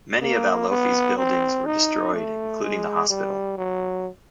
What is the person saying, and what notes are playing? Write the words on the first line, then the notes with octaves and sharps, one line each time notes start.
Many of Alofi's buildings were destroyed, including the hospital.
A#3
B3
C4
D#4
A3
G#3
G3
F#3